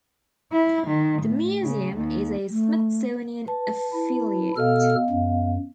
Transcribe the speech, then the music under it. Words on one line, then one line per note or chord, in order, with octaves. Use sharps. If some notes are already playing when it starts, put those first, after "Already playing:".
The museum is a Smithsonian Affiliate.
E4
D#3
A2
C#3
D#2
A3
B4 A5
E4
B2 B3 A4 D#5 F5 F6
F#2